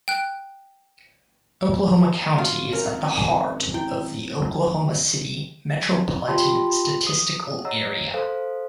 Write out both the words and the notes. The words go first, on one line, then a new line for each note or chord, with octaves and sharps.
Oklahoma County is at the heart of the Oklahoma City Metropolitan Statistical Area.
G5 F#6
F4 F#4
G#1 C#4 A#4
E4 G5
F4 G4 G5 A5 B5 C6
D#6
C#5 D#5 F#5 A#5 E6
A4 C5 F5